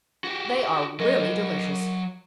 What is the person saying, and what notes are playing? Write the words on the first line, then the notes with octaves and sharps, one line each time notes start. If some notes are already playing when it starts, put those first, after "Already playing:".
They are really delicious.
F#4 G4
F#3 A#4 D#5